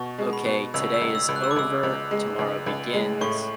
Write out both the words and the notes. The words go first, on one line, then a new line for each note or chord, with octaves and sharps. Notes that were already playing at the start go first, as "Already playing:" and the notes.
"Okay, today is over. Tomorrow begins."
Already playing: B2 C#6
G#3
B5
B2
C#2 E6
E6
C#2
E6
C#2
F#6
E6
D6
C#2 E6
C#2
G#3
C#2
C#2
G#3
A2 C#6